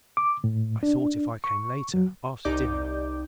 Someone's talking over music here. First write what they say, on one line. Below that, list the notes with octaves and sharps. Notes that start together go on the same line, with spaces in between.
I thought if I came later, after dinner.
D6
A2
D4
C#6
F#3
C2 D#4 G4 D5 D6 G6